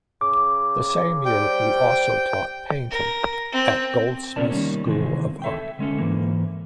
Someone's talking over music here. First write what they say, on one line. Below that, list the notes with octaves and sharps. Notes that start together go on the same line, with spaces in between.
The same year he also taught painting at Goldsmiths' School of Art.
C#3 D6
G3 C5 G5
A#4
C4
C3 B3 C#4 A#4 D5 A5
D#3 G3 A#3 C#4
C3 D#3 E3 G#3
A4 E5 G5
D3 G#3 C#4 A4
G#2 E3 A#3